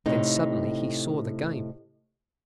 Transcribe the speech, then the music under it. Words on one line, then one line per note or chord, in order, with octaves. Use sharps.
Then suddenly he saw the game.
A2 C3 D#4